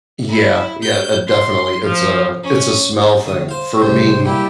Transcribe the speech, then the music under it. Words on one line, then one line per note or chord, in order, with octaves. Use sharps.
Yeah, yeah, uh, definitely. It's a it's a smell thing. For me,
E4
G6
C6
F3
C#4
D#4
D2 D#6
C5 F5
C#2 G2 C3 C5
A#2 G3 E4 G4